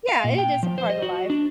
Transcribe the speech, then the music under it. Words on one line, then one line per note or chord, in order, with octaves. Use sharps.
Yeah, it is a part of life,
F5
A#2
G5
F3
C5
D#5
F#4
D4